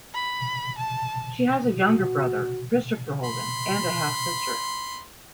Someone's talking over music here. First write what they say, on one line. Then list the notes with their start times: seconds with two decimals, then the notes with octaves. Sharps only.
She has a younger brother, Christopher Holden, and a half-sister.
0.14 B5
0.78 A5
1.69 F#4
3.24 B5 C6